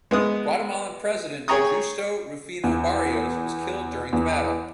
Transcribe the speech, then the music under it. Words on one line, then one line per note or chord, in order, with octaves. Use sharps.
Guatemalan President Justo Rufino Barrios was killed during the battle.
G#3 B3 D#6
G#4 C#5 G5 A#5 C#6 D#6
E2
E2